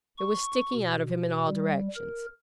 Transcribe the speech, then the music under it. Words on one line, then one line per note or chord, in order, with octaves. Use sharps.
It was sticking out of him in all directions.
C#6
B2
G3
A#4